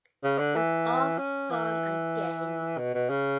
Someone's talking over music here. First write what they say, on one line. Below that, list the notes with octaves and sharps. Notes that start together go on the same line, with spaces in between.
It was all fun and games.
C#3
D3
E3
C#4
E3
B2
B2
C#3